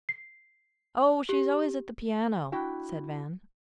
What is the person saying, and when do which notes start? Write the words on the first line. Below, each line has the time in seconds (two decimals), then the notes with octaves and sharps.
"Oh, she's always at the piano," said Van.
0.09 C7
1.29 G4
2.52 D4 E4 F#4 G5